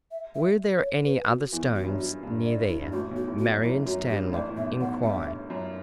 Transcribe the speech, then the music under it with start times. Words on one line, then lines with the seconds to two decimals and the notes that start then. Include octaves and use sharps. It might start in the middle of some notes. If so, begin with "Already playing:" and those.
"Were there any other stones near there?" Marion Stanlock inquired.
0.11 E5
0.35 E5
0.81 C#5
1.05 B4
1.29 F#4
1.52 E2 E3 E4
1.76 F#4
1.83 G2
1.87 F#2
1.99 F#4
2.23 G2
2.46 D5
2.69 E4
2.82 G2
2.92 A1 A2 F#4
3.10 B1 B2
3.16 F#4
3.28 A1 A2
3.39 F#4
3.46 F#2
3.63 F#2 E4
3.87 F#2 F#4
4.10 G2 G4
4.33 A1 A2 D5
4.49 A2
4.57 B1 B2 E5
4.80 B1 B2 F#5
5.03 G2 E5
5.50 F#2